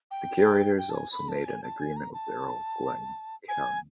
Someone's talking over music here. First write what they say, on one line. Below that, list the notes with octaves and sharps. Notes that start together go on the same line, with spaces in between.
The curators also made an agreement with the Earl of Glencairn.
G5
G5
A5
G#5
B5
A5
G#5
A5
G#5
A#5
A5
G#5